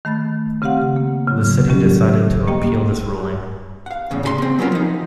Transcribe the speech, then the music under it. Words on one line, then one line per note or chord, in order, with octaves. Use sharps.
The City decided to appeal this ruling.
D#3 A3 B5 A6
C#3 C4 G4 F5 F#5
A#3
C#3 F#3
D#3 F#3 G3 C#4 G4
A#3 G4 D#5 G5
F5 F#5
E2 A2 C#3
C#3 G#4 C6
A#3 C4
F#3 B3 C#4 F4 A#4
F3 D#4